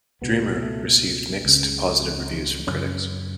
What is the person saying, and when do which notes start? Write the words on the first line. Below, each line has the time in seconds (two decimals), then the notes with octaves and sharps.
"Dreamer" received mixed to positive reviews from critics.
0.22 C#2 B2 B3
0.43 G#3
0.63 A3
1.45 C#2 C#3
2.67 F#2 C#3 C#4